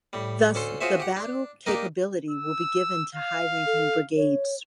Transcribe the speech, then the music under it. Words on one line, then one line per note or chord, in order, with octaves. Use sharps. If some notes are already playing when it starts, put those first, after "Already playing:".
Thus the battle capability will be given to high-ranking brigades.
A2 G3
D2 C#4 A4 C6
F4 F#4 G#4 C5 C#5 E5
G4 F#5
D4
A#3 D4 D#4 G4 A#4 D#5
E6
F5
A4
C#5